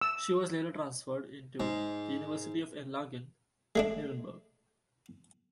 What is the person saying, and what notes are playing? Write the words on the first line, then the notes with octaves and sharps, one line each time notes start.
She was later transferred into the University of Erlangen–Nuremberg.
E6
G#2
G#3 A3 D4